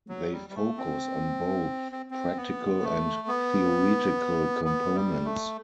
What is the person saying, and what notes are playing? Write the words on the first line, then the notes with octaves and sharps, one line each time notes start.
They focus on both "Practical" and "Theoretical" components.
F#3
G3
G3
A3
C4
C4
C4
B3
A3
B3
B3
G3
A3